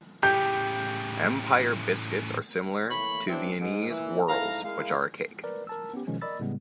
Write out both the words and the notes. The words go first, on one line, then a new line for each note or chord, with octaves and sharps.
Empire biscuits are similar to Viennese Whirls which are a cake.
A2 C#3 G4 G6
E3 A3 A#3 C#5 B5
E3 F#3 B3 C4 D4 E4
G#2
A#2 E3
G#2 E4 A4 F5 A#5
G#3 E4 A#4 F5
A#4 B4 D5
A#4 A5 E6
B3 C#4 G4
B2 D#3 F3 G#3 C#4
A#4 D5 D#5 B5 E6 A6
A2 C#3 G3 G#3 B3